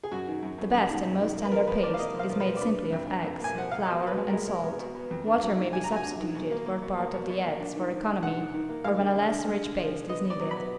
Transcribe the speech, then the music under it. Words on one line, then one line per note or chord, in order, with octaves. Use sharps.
The best and most tender paste is made simply of eggs, flour and salt, water may be substituted for part of the eggs, for economy, or when a less rich paste is needed.
G#4
F#2 F#4
D#3
F#2
F#2
F#2
D#3
F#2
D#3
A#3
B4
F3 A#4
F3 B4
F3 D5
F5
A#3 D#5
F3
F5
F3
B4
F3
D5
D4 B4
D4
F2
D4
F2
A#3 G#5
F3 F#5
A#3 F5
B2 D#5
B2
B4
G#3
A#4
G#3
G#3
B3
B2
B3
F2
D4
F#3
D#3
D4 G#5
F#3 A#5
G#5
D4
D#3
B2
A#3
A#3
B2
A#3
B2
B2
A#3
D4
D#3
D#3
D4
D#3 F#5
D#3
D#3
A#3
G#3 F5
D3
D3
D3
G#3
D3
F3
D3
B3 D#5
B3
D5
F#3
B5
B3